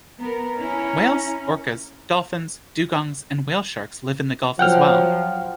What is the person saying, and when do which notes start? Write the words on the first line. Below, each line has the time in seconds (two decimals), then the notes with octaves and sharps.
Whales, orcas, dolphins, dugongs, and whale sharks live in the gulf as well.
0.20 B3 A#4 A#5
0.58 C#4 E4
4.59 F3 F#3 F#5 G5 F6